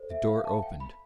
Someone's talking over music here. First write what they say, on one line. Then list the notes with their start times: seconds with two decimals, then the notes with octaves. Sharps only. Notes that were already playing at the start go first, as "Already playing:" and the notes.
The door opened.
Already playing: A4 C5
0.10 E5
0.28 F5
0.45 A5
0.63 G5
0.80 B5